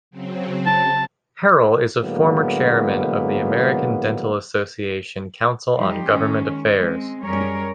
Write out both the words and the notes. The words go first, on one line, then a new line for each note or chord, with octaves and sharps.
Harrell is a former chairman of the American Dental Association Council on Governmental Affairs.
C#3 F#3 C4
A5
A2 D3 F#3 G#3 A#3 B3
F3 G3 D#4 G4 C5
D#3 G#3 C#4
G#3 C4
F#2 G3 C#4 G#4 A#4 C#5